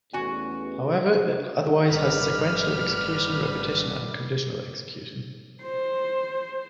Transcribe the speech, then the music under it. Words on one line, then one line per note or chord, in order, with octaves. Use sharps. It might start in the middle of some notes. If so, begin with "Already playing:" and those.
However, it otherwise has sequential execution, repetition, and conditional-execution.
A1 E2 F#4 G#5
G#1 G3 B4 F6
C5